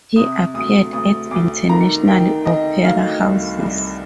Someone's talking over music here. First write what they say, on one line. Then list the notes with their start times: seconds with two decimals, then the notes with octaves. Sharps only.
He appeared at international opera houses.
0.16 C3 D#6
0.54 D2 D#6
0.92 D2 D#6
1.31 D2 D6
1.69 D#3 A#5
2.07 D#3 G5
2.45 D#3 D#5
2.83 D2 F5
3.21 C2
3.60 C2